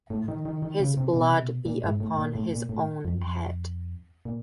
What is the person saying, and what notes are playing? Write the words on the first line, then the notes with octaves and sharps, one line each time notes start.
His blood be upon his own head.
A2
D#3
D#3
D#3
C#3
C3
B2
C3
B2
A#2
G#2
A2
A#2
A2
A#2
A2
F2
F#2
F2
A#2